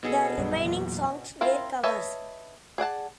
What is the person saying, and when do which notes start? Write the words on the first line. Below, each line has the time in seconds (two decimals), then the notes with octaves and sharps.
The remaining songs were covers.
0.03 B2 G#4 A4
0.38 A#1 F#2 G3
0.64 E2 A#2 F#3
1.41 C4 E4 F4 A#4
1.83 B4 C#5 D#5 E5 A5
2.78 G#4 D5 F#5 A5